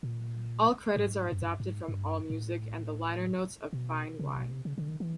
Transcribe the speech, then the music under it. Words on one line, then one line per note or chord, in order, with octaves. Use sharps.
All credits are adapted from Allmusic and the liner notes of "Fine Wine".
A#2
G#2
F#2
G2
G2
G#2
G2
G#2
A2
B2
C#3
C3
B2
C3
C#3
D3
D#3
E3